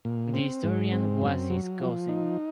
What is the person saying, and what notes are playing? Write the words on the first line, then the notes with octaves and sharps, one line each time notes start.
The historian was his cousin.
A#2
C4
G#2
C4
F#2
F#3
F3
D#4